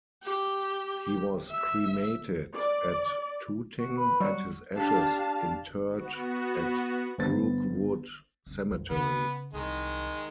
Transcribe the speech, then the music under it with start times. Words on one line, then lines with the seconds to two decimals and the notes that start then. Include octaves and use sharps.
He was cremated at Tooting and his ashes interred at Brookwood Cemetery.
0.23 G4
1.49 E5
2.54 D5
3.79 F#4
3.97 B4
4.20 F#3 G3 F#4
4.76 D4 G4 F5 A5
5.90 B3 F#4
7.18 G1 B3 C5 A6
8.47 F#1 F#2
8.70 B1 F2
8.90 C#3 B3
9.53 C2 D#3 G#3